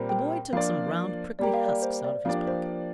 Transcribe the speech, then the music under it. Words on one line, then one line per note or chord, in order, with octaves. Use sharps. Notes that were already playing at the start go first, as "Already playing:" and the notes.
The boy took some round prickly husks out of his pocket.
Already playing: A#2 G3 C4 G4 A#4
G5
F3 A#3 D4 F4 D5 F5
G3 A#3 G4 A#4 D5
F5
D5
C5
D5
F3 A#3 D4 G4 D5 F5
C5